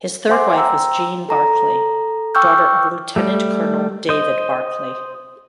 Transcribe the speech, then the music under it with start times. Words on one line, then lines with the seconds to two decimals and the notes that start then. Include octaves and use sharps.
His third wife was Jean Barclay, daughter of Lieutenant-Colonel David Barclay.
0.29 C5 E5 F#5 G#5 C6 D6
0.54 G5 A#5 E6
1.29 A4 A#5
2.35 G5 C#6 D6 E6 F6 G6
3.16 G3 A3
4.09 C5 D#5